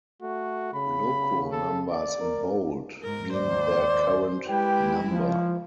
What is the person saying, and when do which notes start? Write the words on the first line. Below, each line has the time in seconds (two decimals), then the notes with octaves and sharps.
Loco numbers in bold mean their current number.
0.22 A3 F#4
0.74 C#3 B5
1.52 A4
1.91 D5
2.20 A#4
3.03 G#2 A#4
3.33 D#2 C5 D5
4.48 G#3 E4 G4 B4 G5
5.11 F3